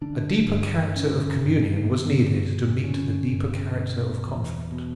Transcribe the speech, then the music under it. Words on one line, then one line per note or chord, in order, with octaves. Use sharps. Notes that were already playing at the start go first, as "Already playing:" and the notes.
A deeper character of communion was needed to meet the deeper character of conflict.
D3 D4
G2
D3 C#4
G2
A#3
D3 B3
G2
D3 C#4
G2
B2
E2
B2